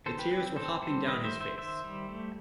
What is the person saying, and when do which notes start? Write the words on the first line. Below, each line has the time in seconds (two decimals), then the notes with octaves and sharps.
The tears were hopping down his face.
0.06 D#3 A4 C5
0.19 G4 B4
0.31 C4 G4 B4
0.56 C4 A4 C5
0.82 G3 A4 C5
1.07 D#3 B4 D#5
1.24 C5 E5
1.32 D#3
1.40 C5 E5
1.57 D#3 C5 E5
1.84 G3
2.09 A3